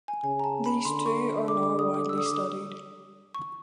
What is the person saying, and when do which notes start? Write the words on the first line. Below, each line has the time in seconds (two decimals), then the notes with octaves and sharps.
These too are now widely studied.
0.08 G#5
0.24 C#3 G#5
0.40 A#5
0.44 A5
0.66 B5
0.85 D3 C6
1.06 C#6
1.48 D6
1.63 D6
1.79 D#6
1.94 D6
2.09 E6
2.18 D#6
2.25 D6
2.35 D#6
3.35 C#6